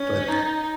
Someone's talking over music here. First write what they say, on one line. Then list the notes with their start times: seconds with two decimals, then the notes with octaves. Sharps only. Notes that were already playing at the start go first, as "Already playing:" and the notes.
But then,
Already playing: C#4
0.29 D#4